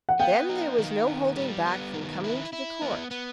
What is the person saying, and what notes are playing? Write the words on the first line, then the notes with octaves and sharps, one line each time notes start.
Then there was no holding back from coming to the court.
F#5
B3 F5 G5
D#4
D#3
B3
G3
B3
D#3
E4
E4
B3
B3